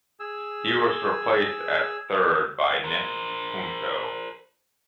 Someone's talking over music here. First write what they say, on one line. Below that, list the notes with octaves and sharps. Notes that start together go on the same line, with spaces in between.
He was replaced at third by Nick Punto.
G#4 E6
A#4 C5